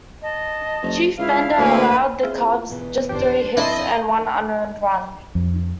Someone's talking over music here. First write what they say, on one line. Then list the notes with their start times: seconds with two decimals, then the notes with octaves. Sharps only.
Chief Bender allowed the Cubs just three hits and one unearned run.
0.22 D#5 A5
0.82 F#1
1.18 C#2 E4 F5 F6
1.58 D2 A#3 B4
2.23 C4 E4 F4 G#4 C5
2.70 E2 B2 E3
3.09 G1 F2 D4 G4 C5
3.57 F2 C4 D4 E4 D5 D#5 A5 C6
5.35 F2